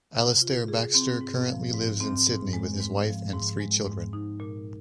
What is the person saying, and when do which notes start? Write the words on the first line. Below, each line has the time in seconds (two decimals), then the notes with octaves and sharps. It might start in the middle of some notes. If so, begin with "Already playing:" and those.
Alistair Baxter currently lives in Sydney with his wife and three children.
0.15 C3
0.42 F4
0.68 G#4
0.94 C4
1.21 G#2
1.47 F3
1.74 G#2
2.01 C4
2.27 G#2
2.53 G#3
2.80 G#2
3.07 F3
3.33 G#2
3.60 G#3
3.86 G#2
4.13 D#4
4.40 A#2